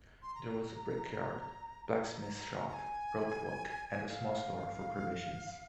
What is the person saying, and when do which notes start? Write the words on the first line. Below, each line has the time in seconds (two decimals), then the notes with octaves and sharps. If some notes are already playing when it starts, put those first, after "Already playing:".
There was a brickyard, blacksmith's shop, rope walk and small store for provisions.
0.23 C6
0.35 A#5
2.21 A#5
2.68 A#5
2.73 G#5
4.08 F5